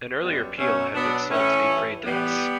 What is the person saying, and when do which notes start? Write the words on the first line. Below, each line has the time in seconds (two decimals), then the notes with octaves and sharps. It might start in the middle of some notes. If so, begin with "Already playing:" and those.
An earlier peal had been sold to defray debts.
0.22 F#2 D3 F#3 G3 B3
0.58 B2 F#3 A3 C#4
0.94 B2 F#3 B3 D4
1.31 A2 E3 A3 C#4
1.68 G2 E3
2.04 A2 E3 G3 B3